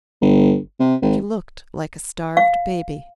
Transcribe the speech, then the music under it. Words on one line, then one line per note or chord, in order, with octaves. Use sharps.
She looked like a starved baby.
G1
C3
G#1
F5